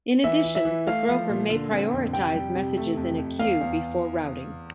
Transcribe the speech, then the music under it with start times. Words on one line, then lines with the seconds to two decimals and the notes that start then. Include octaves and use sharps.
In addition, the broker may prioritize messages in a queue before routing.
0.24 E3 E5
0.44 E4
0.55 E5
0.65 E3
0.87 A3 F5
1.08 F3
1.29 A#2
1.50 D3
1.71 C4
1.92 F2
2.13 C3 G5
2.35 G3
2.56 C3
2.77 A3
2.97 F2
3.18 F2
3.39 E2 F5
3.61 E2